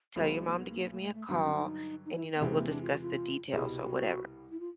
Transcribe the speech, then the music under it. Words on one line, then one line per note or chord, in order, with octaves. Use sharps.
Tell your mom to give me a call, and, you know, we'll discuss the details or whatever."
B1 B2 G#3 B3 C4
A#3
B3
A#3
A#3
A3
A3
G2 D3 F#3 B3
C#4
D#4
D#4
E4
B3
E2 C3 E3 G#3 C4
A#3
D4
F4
F#4
F4
C2 B2 G3 G#4
F#4
E4
F4